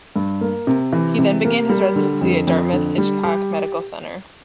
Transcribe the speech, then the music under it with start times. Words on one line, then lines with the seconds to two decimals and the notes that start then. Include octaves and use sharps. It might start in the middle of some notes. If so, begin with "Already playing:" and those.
He then began his residency at Dartmouth Hitchcock Medical Center.
0.16 G2
0.41 A#3
0.67 C3
0.93 E3
1.19 C3
1.45 A#3
1.70 G3
1.96 D3
2.21 F2
2.47 F2
2.73 D3
2.98 G3
3.23 G4